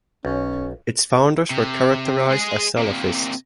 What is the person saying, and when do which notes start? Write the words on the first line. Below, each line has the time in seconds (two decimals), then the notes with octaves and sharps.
Its founders were characterised as salafists.
0.25 B1 C#4
1.50 C3
2.30 G#3 G#4
2.78 C3 A#3